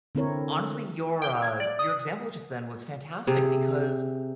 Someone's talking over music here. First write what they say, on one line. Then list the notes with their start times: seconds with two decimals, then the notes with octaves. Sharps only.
honestly, your, uh your example just then was fantastic because
0.15 D3 C4 E4 A#4 C#5
1.22 G5
1.42 G#6
1.60 D5
1.79 D#6
3.27 C3 G#4